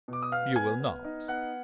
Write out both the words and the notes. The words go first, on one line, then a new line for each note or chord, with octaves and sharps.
"You will not."
B2 D6
D#6
B3 F5 F6
B3 G#5 G#6
B3
D#4
B3 F#5 F#6